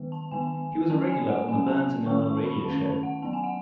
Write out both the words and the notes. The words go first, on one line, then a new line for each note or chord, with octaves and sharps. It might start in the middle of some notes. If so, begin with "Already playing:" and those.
He was a regular on the Burns and Allen radio show.
Already playing: D#3 G#3 B3
A5
D#3 G#3 B3 G#5
F#3 C#4 A5
G#5
F#5
F#3 C#4 G#5
A5
D#3 A3 C#4 C#6
C#6
A5
B5
B5
D#3 A3 C#4 A5
A5
F#5
F#3 B3 A5
G#5
F#5